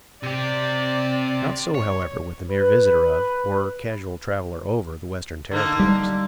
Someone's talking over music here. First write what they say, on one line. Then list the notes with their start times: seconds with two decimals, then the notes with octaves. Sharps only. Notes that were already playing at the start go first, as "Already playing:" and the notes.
Not so however with the mere visitor of, or casual traveller over, the Western Territories.
0.24 C3 G4 D5
1.75 C#5
2.48 B4 B5
5.51 D3 A#3 D#4
5.80 G3